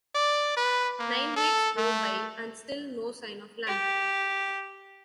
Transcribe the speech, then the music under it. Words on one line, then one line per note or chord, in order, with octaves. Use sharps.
Nine weeks go by and still no sign of land.
D5
B4
A#3
A4
A3
G4